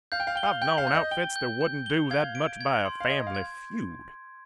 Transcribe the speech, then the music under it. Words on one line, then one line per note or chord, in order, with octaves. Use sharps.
I've known outfits that wouldn't do that much by a family feud.'
F5 G6
G5
F5
G5 G7
F5
G5 G6
F5
G6
D#5
G5 G7
G6
G6
G7
F5 G#6
D7
G#6
C6
F5
D#5 G#6
F5
G#6